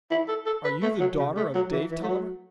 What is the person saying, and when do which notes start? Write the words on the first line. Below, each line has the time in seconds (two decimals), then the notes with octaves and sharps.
"Are you the daughter of Dave Tolliver?"
0.11 E4
0.28 A4
0.46 A4
0.64 B4
0.83 A3
1.00 F#3
1.19 C#3
1.37 A3
1.55 F#3
1.72 E3
1.91 E3
2.03 A3
2.08 F#3